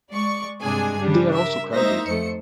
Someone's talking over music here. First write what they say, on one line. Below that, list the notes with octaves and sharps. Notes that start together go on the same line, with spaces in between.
They are also crowded.
G#3 D5 C#6
G2 C3 G#3 D4 G#4 G#5
C#3 G3 D4
A#4 E5
G#3 A#3 D#4 C5 E5 A#6
F2 A3 C5 C#7